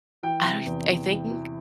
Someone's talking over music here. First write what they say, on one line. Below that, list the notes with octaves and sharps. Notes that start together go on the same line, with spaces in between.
I don't I think
E3 G5
C3
E2
E2
E3
E3